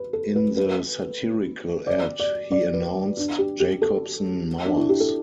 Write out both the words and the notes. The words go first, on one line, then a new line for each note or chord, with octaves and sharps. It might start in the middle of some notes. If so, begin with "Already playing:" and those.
In the satirical ad, he announced: Jacobsen Mowers.
Already playing: B4
A4
B4
B4
D5
D5
D5
B4
D4
G4
G4
A4
D4
E4
G4
A4